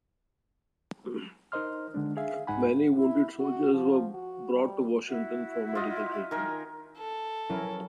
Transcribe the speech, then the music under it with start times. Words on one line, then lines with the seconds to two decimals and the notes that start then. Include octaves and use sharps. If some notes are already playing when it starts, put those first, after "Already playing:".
Many wounded soldiers were brought to Washington for medical treatment.
1.52 D#4 A#4 C5 D#5 C6 F6
1.94 D3 G#3 D4
2.17 G#4 E5 F5
2.47 C2 G#2 D#4 F#5 G#5 B5
2.98 E4
3.40 F#4
3.74 F3
4.14 F#4
4.53 G3
5.08 E4 F#4 E5
5.75 F4 D#5
6.31 D#3 A#4 G#5
6.97 A4
7.50 F#3 C#4 E4 A#4